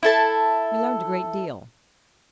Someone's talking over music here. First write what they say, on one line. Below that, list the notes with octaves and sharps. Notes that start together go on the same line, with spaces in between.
We learned a great deal.
E4 A4 A5